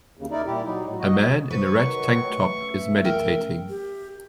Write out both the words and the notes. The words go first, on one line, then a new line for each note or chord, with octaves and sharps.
A man in a red tank top is meditating.
D#2 C#3
D#4 E4 A#4 D5
A#2 G3 E4 G4
F#3 D#4
A2
F#4 D#5
B4 C5 C#6
D#3 F#3 C#5
A3
C#4 E5
A#4 G5
G4